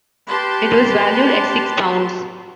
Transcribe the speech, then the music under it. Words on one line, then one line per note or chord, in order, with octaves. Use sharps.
It was valued at six pounds.
G4 B4 A5 C6